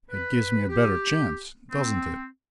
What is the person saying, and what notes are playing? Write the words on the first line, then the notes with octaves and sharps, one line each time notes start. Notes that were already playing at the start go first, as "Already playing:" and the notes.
"It gives me a better chance--doesn't it?"
B4
G4
C4